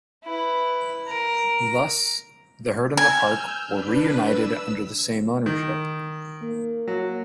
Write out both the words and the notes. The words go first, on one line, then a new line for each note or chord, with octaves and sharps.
Thus, the herd and the park were reunited under the same ownership.
E4 B4
A#4
G#5 E6 F6 G6
D4 B4
E6
D#3
A#3
F#3